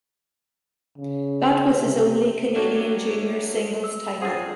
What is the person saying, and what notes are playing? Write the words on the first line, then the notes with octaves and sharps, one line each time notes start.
That was his only Canadian Junior singles title.
C#3
C3
A3 A#3 D4 F#4 G4 C#5
E6
C4 D4 F4 G#4 F#5